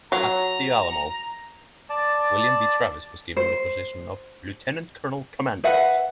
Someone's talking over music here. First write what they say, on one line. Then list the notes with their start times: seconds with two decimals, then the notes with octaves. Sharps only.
At the Alamo, William B. Travis was given the position of lieutenant colonel commandant.
0.12 F#3 A#5
1.90 D5 A5
3.37 C5
5.64 B4 E5 F#5